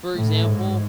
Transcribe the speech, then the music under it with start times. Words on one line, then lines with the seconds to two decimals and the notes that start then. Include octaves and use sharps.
for example,
0.16 A2
0.44 G#2